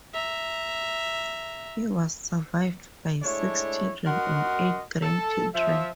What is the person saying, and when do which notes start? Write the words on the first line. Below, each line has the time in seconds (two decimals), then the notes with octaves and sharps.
He was survived by six children and eight grandchildren.
0.14 E5 A#5
3.23 G#3 A3 D4 E4 C#5
4.07 F#2 F#4 A#4 D#5 F#5 C6
5.03 A4
5.54 F3 E5